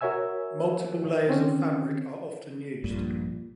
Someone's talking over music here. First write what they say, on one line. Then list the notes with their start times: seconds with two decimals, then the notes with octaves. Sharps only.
Multiple layers of fabric are often used.
0.01 F#4 A#4 C#5 E5 G#5 E6
1.27 D3 D#3 C4 C#4
2.84 A#1 G2 A#2